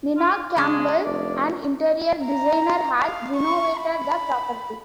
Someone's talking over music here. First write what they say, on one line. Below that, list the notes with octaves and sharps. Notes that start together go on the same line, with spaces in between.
Nina Campbell, an interior designer, had renovated the property.
F4
C#3 G#3 C#4 D4
F1 D5
A#5
F5
C#6
B5